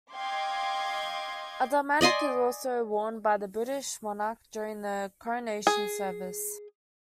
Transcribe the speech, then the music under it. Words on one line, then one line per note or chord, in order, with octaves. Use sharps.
A dalmatic is also worn by the British monarch during the Coronation service.
D#5 F5 G5 C6 D6 G#6
D5 D#5 G#5 C6
G#4